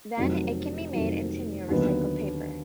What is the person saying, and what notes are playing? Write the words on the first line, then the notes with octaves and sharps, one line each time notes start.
Then it can be made into new recycled paper.
F1 F2 D#3 F#3
F1 F2 D#3 F#3
D#2 D3 F#3 B3 D#4